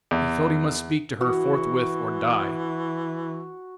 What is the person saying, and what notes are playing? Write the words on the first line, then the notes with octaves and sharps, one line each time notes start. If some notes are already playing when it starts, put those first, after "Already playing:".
He felt he must speak to her forthwith, or die.
E2
E3 F#4